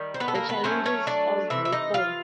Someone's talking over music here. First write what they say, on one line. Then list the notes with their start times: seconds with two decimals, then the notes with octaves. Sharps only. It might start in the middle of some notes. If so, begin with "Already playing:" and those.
The challenges of reform.
Already playing: D#3 G3
0.14 C5
0.20 B3 B4
0.28 A4
0.35 A#3 A#4
0.49 B3 B4
0.64 D3 F#3 A3 C#4 C5
0.86 C#4 C#5
1.07 D4 D5
1.50 C3 E3 E5
1.65 E5
1.72 D#4 D#5
1.94 F4 F5